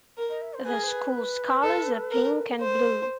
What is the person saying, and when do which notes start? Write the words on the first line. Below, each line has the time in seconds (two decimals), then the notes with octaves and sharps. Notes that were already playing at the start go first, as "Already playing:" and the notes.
The schools colors are pink and blue.
0.17 A#4
0.29 D#5
0.42 E5
0.54 C5
0.66 G#4 B4
0.75 A#4
0.83 C5
0.87 B4
1.62 A4
2.12 A#4
2.60 A#4 C5